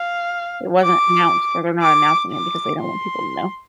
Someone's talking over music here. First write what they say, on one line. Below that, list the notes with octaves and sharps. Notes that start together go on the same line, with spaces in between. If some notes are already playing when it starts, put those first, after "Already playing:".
it wasn't announced or they're not announcing it because they don't want people to know.
Already playing: F5
D6
D6
D6
C6